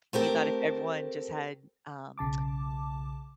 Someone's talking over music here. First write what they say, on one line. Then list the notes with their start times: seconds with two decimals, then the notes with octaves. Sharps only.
He thought if everyone just had, um,
0.13 A3 C4 G4 A#4
2.18 B1 C#3 A5 D6